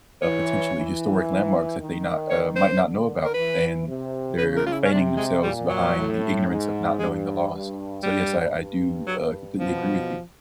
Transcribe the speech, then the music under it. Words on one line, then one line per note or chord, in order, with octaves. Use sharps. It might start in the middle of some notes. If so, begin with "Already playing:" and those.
uh, potentially historic landmarks that they not uh, might not know about, and they're feigning themselves behind the ignorance of not knowing the laws. So, yes, I I do, uh, completely agree with you.
E3 C#5
E3
D#3
C#5
C5
D3
A#4
E3 B4
C3
C#3 B4
A#4
F4
E4
C#4
C3 D4
G#3
A#2 G3
F#3
A2
G#2
G2 G#3
G2
G2 G3
G2
F#3
B2 F3